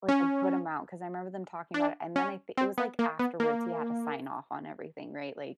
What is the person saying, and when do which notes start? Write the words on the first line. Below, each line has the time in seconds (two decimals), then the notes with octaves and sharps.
Like, a good amount 'cause I 'member them talking about it, and then I th it was, like, afterwards, he had to sign off on everything, right? Like,
0.09 C#4
1.74 D4
2.16 C#4
2.57 C4
2.78 B3
2.99 A#3
3.19 B3
3.40 A#3